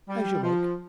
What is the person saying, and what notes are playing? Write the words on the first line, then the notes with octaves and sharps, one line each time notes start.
'As you like....
G3
F3